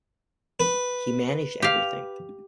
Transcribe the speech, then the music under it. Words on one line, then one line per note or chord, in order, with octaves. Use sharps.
He managed everything.
B4
G4 F5